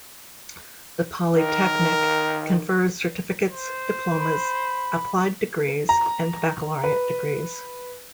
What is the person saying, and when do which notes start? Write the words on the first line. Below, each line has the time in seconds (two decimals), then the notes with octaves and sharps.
The polytechnic confers certificates, diplomas, applied degrees and baccalaureate degrees.
1.36 D#3 A#4
3.50 C5
4.20 B5
5.89 A#5
6.84 B4